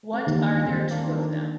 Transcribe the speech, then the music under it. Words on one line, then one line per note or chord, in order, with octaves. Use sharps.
What are there two of them?
G#3 C4
D#2
A#3 D4
F4
D#2 C4 D#4
A#3 D4
D#3
A#3 D4